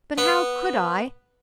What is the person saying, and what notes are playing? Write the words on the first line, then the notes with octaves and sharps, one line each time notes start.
But how could I?
B3